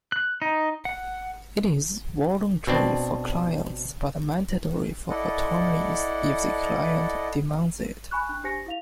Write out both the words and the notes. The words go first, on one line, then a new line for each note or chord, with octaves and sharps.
It is voluntary for clients but mandatory for attorneys if the client demands it.
F#6
D#4
F#5
B2 C4 D4
E4 A4 D5 D#5 F#5
G#5 B5 C#6 F#6
D4 F#6
D4 G4 C5 G#5 A#6 C#7
E4 F5 F7